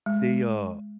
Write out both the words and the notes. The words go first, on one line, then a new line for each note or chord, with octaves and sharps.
they, uh
G#3